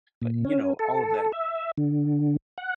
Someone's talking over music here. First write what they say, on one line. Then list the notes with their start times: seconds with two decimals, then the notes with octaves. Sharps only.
But, you know, all of that
0.22 A#2
0.45 C#4
0.79 A4
1.32 E5
1.77 D3
2.58 F#5